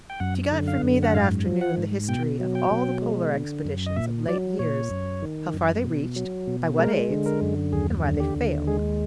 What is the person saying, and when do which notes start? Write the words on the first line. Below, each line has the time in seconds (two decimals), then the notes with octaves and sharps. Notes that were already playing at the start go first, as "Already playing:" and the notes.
She got from me that afternoon the history of all the Polar expeditions of late years, how far they reached, by what aids, and why they failed.
0.10 G5
0.20 F#2 F#5
0.52 D3
0.68 F5
0.83 F#2
1.03 F#5
1.15 G#2 F5
1.46 F3
1.61 F#5
1.77 G#2
2.08 B2 G5
2.40 F#3
2.55 G5
2.71 B2
3.02 G#3
3.34 D3
3.65 F#2
3.86 D#5
3.96 A#2 E5
4.28 F#3 D5
4.59 A#2 C#5
4.91 F#2
5.22 D#3
5.53 F#2
5.84 B2
6.16 F#3
6.47 B2
6.79 G#3 A#4
7.10 D3
7.26 A#4
7.42 F#2
7.73 D#2 G#4
8.04 D3
8.20 G4
8.35 D#2
8.67 G#3 G#4